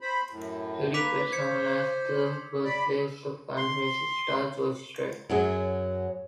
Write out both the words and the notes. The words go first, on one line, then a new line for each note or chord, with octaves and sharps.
It is best known as the birthplace of country music star, George Strait.
C5 B5
F#2 A2
A#3 B4 D6 B6 F7
C5 G#6 C#7
D5 B5
C6
F#2 F#3 G#4